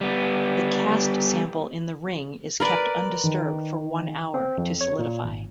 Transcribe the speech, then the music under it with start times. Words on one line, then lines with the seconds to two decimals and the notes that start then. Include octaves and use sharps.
The cast sample in the ring is kept undisturbed for one hour to solidify.
0.01 G3 B3
2.60 A#4 B4 D5
3.24 D#3
4.34 C4
4.58 F2
4.81 C#5
4.99 A#2
5.24 G#1